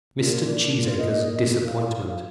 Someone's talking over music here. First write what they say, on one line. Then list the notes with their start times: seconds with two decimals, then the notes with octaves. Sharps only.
Mr. Cheesacre's Disappointment.
0.20 A#2 F4
0.44 D4
0.80 F4
0.98 D#5
1.66 F5